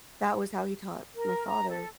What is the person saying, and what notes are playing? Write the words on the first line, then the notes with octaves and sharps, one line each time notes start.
that was how he taught my father
A#4
A#5
A4